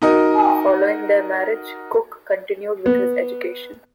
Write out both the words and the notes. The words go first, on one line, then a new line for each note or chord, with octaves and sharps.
Following their marriage, Cook continued with his education.
D#4 F#4 A#4 D#5
B3